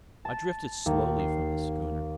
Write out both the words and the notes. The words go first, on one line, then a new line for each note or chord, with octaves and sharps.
I drifted slowly from the schooner.
A5
D#2
C7